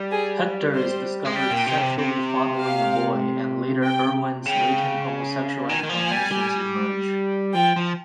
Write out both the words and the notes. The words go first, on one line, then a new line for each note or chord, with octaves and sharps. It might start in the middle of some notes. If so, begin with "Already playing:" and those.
Hector is discovered sexually fondling a boy and later Irwin's latent homosexual inclinations emerge.
Already playing: G3
G#4
C5
G#3
G3 G5
A#2
C3
C#3
C3
C3
F5
G5
C#3 G5
D#3 G#5
D#3
F3
G#5
G3
G3
F3 G5
F3